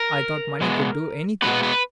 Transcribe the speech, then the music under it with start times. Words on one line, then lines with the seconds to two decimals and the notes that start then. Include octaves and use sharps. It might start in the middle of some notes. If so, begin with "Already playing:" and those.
I thought money could do anything.
Already playing: A#4
0.61 B2 G#3 B3
1.42 B2 G#3 B3 B4
1.63 B4